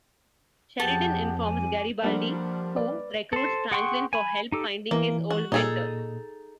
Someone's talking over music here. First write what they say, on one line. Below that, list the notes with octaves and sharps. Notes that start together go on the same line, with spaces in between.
Sheridan informs Garibaldi who recruits Franklin for help finding his old mentor.
F2 G4 G#4 F#5 A5
G#5 D6
F3 G3 A#3 D4 A4 F#5
B4 D5
A4 C5
G#4 F#5 G5 C6 C#6
G#5 B5
D#4 G4 A4
E3 A#3
F#4
A#2 D#4 G#4 A4